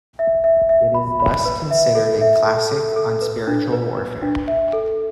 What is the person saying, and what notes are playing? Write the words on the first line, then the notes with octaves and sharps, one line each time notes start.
It is thus considered a classic on spiritual warfare.
E5
E5
E5
B5
B5
B4
E5
A4
E5
A4
A4
A4
B4
D4
B4
B4
D4
E5
A4